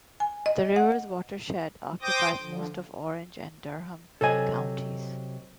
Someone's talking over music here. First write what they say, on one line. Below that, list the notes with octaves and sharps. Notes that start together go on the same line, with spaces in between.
The river's watershed occupies most of Orange and Durham counties.
G#5
D#5
F#5
C5 G5 D6 D#6 G6 A#6
D3 F3
C3 F#3 A4 D#5 G#5